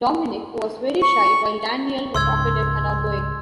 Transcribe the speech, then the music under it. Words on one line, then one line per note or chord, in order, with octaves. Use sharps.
Dominique was very shy while Danielle was talkative and outgoing.
C#6
C#2 G#2 C6 E6 G#6